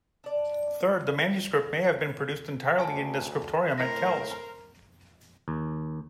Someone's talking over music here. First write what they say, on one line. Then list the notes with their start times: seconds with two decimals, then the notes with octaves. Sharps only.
Third, the manuscript may have been produced entirely in the scriptorium at Kells.
0.24 D4 D5
2.79 D2 G#5 A5
3.78 A2 A#4 C5 A#6
5.48 D#2